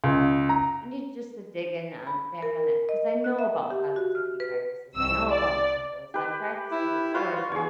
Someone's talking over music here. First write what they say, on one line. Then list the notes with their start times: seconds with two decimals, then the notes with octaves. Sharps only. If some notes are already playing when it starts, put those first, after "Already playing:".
I need just to dig in on back on that 'cause I know about positivity practices, I know about mantras. I practiced them before, but
0.04 C#2
0.49 A#5
2.07 B5
2.43 A#4
2.89 D#5
3.24 F#6
3.39 E5
3.71 G4
3.96 F#4
4.15 F6
4.40 B4
4.96 C2 E6
5.30 D5
6.14 G4 B4
6.71 E4
7.14 F4 F#4 B4 C#5
7.35 F4
7.52 E2 G#4 C#5